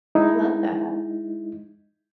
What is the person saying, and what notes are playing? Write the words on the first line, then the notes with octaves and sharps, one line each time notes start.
I love that.
G#3 D#4 E4